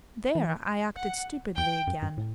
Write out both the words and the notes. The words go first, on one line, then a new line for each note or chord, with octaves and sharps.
There I acted stupidly again.
E3
F#5
E2 G5
F#2
G2
A2